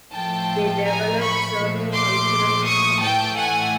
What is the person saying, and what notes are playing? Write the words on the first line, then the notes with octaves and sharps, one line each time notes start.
They developed certain cultural customs.
A2 F3 A3 G5 A5
G#5 A#5
B5 C#6
A#2 F3 A3
C6 D6
C#6 D#6
A2 E3 A3 G5 A5
F#5 G#5